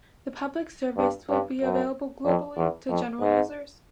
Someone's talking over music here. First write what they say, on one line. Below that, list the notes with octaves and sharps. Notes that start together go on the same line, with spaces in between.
The public service will be available globally to general users.
G2
G2
F#2
F2
E2
F2
G#2